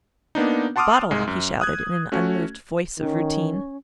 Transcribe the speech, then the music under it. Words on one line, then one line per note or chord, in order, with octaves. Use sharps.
"Bottle!" he shouted, in an unmoved voice of routine.
A#3 B3 D4 D#4
F#5 A5 C6 D6 D#6 F6
C2 G#2 G#3
F#2
D#6 F#6 G#6
A3 C#4 F#4
D#3 C#4